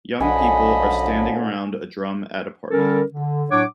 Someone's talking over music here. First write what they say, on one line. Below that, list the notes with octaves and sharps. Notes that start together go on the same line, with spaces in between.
Young people are standing around a drum at a party.
B1 F#2 D3 F3 D#5 F#5 G#5 B5
D3 G3 C#4 A4 A#4
D3
A2 F#3 D4 C#5 F#5 D6